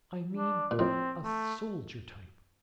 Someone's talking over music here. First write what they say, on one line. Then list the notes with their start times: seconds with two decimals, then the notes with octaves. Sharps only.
I mean, a soldier type.
0.35 D4
0.71 A#2
0.79 F2 A2 C4
1.23 A3